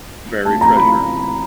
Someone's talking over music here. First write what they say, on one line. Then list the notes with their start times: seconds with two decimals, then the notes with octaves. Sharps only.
buried treasure,
0.45 A5
0.61 A#5
0.76 B5